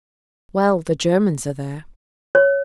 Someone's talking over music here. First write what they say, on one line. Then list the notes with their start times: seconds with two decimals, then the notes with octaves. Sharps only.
"Well; the Germans are there."
2.35 C#5